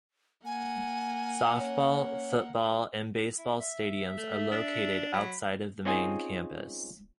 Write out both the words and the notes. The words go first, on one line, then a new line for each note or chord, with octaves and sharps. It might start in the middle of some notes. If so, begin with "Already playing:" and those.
Softball, football, and baseball stadiums are located outside of the main campus.
A#3 F#5 G#5
C#4
E4
E5
A3
D4
F#3 B5
C4 C#4 D#4 F4 G#4 G#5